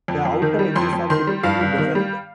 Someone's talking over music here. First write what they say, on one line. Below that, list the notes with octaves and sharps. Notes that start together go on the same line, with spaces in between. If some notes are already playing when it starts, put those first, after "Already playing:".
The outer edges are typically bevelled.
F2
F2
D#3
G3
F2 C6
F2
D#3 C6
G3
G2 F5
G2
D#3
G3